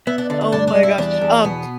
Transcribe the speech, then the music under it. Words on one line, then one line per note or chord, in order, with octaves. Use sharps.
Oh my gosh, um,
B3 E4
D4
D3 D4
D4
G2 D4
D4
G3
E4
E2 D4
E2
B2 B3